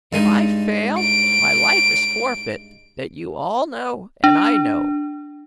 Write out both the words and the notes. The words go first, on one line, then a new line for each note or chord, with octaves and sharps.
If I fail my life is forfeit--that you all know and I know.
G2 G#3 D#4
D7
D4